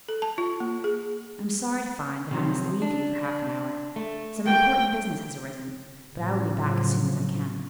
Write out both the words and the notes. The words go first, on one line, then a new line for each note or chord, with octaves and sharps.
"I am sorry to find that I must leave you for half an hour; some important business has arisen, but I will be back as soon as I can."
A4
A5
F4
A#3
G#4
C3 F3 F#3
D4
A3
A3 A#3 F#4 G5
A2 C#3 F3 F#3